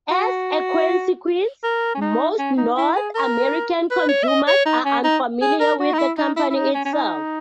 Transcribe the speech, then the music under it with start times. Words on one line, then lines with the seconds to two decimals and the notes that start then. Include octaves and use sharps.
As a consequence, most North American consumers are unfamiliar with the company itself.
0.11 F#4
1.64 A#4
1.95 C#4
2.01 D#4
2.39 C#4
2.58 D#4
2.77 E4
2.96 G#4
3.15 A#4
3.91 B4
4.09 C#5
4.23 E5
4.28 D#5
4.48 C#5
4.66 D#4
4.85 C#4
5.04 D#4
5.42 G#4
5.61 A#4
5.80 F#4
5.93 D#4
5.99 E4
6.18 D#4
6.37 E4
6.50 E4
6.56 D#4
6.75 C#4
6.85 C#4
6.93 D#4